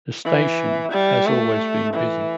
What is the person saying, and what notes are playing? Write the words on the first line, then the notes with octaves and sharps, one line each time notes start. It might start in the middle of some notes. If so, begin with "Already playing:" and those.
The station has always been busy.
E3
G3
A3
E3